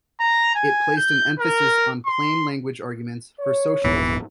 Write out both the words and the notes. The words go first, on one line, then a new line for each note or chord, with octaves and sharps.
It placed an emphasis on plain language arguments for socialism.
A#5
G#5
G6
A#4
C6
C#5
D#1 A#1 G#2 E3 B3